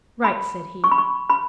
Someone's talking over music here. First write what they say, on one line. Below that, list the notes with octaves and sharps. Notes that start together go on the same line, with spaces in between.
"Write!" said he.
B5
C#6
B5
C#6
B5